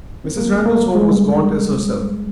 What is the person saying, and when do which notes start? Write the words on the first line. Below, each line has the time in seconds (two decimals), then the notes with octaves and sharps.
Mrs. Randal's home was gaunt as herself.
0.24 C4
0.37 A#3
0.52 G#3
0.65 A#3
0.95 G#3
1.09 G3